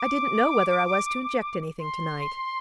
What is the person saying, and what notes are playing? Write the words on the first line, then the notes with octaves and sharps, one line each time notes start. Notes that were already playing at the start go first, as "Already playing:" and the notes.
I didn't know whether I was to inject anything to-night.
Already playing: D6
C6